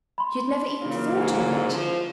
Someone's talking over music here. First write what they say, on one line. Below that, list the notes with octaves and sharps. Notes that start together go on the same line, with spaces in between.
She had never even thought of it.
B5 C6
C#3 E3 F#3 A#3 F4 F5
G#2
F3